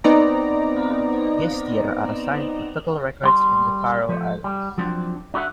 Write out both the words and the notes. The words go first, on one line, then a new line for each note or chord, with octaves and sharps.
Gestir are signed to Tutl Records in the Faroe Islands.
B3 C4 D#4 D5 A#5
G3 C6
F3 A3
G3
F3 F#3 C4 D4
D4 F#4 B4 E5 F#5